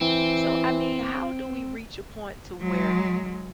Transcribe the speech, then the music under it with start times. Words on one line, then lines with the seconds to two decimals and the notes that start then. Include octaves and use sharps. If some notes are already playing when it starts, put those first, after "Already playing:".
So, I mean, how do we reach a point to where,
0.01 E3 C4
2.61 F#3 G#3